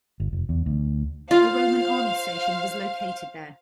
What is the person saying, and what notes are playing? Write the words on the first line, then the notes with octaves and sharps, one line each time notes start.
A Roman army station was located there.
G1
F1
E2
D2
F4 C5 F5